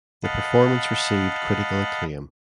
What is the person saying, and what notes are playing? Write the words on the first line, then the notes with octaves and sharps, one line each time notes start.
The performance received critical acclaim.
D#5 F5 F#5 A5 B5